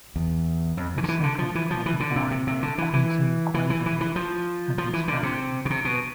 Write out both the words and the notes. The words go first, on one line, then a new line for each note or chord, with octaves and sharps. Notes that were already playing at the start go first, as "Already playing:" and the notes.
The second was a boy named Quentin Quaverhead and his family.
E2
F2
E3
D3
E3
D3
F3
E3
F3
E3
D3
C3
C3
C3
D3
E3
E3
E3
E3
E3
E3
F3
F3
E3
D3
C3
B2
C3
B2